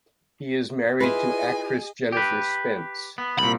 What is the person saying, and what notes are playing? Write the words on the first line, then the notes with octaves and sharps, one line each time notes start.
He is married to actress Jennifer Spence.
E4 F4 G#4 B4 D#5 G#5
G4 B4
B3
C2 A#2 B5